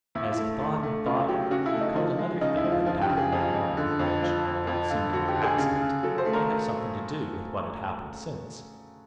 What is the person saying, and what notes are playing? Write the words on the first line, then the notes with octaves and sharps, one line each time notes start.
And as he thought and thought, he recalled another thing that had happened that morning, which, although it seemed a mere accident, might have something to do with what had happened since.
E2 E4
F4
E4
A3
A3
A3
C#3 F4
F#3 G4
C#3 F#4
E4
A3
D#4
F3
G#3
C#3 D#4
E4
F3
F4
F3 F4
G4
C#3
G#4
F2
F2
D3
F2
F3
F2
F2
D3 F4
D3 F#4
G4
D3
G#4
C#3
C#3
F#3 A4
C5
A3
A#4